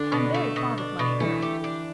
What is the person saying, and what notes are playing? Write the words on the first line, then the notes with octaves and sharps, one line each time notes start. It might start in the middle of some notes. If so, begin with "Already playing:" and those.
I'm very fond of money earned.
Already playing: D3 D4
B2
A3
B2
D4
B2
E3 A3
G4
D4